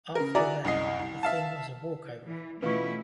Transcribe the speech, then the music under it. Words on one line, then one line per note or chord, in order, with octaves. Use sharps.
After that the thing was a walk over.
C#3 A#4
E4 F#4 G#4 D5 A#5
C2 F#2 D#5 C7
C2
E5 F5 A5
E3
B2 E3 A3 C#4 E4 F4 B4 C#6